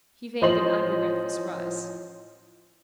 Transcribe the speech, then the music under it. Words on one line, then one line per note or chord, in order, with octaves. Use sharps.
He feigned an unregretful surprise.
A1 F3 C5 D#5 C6 F#7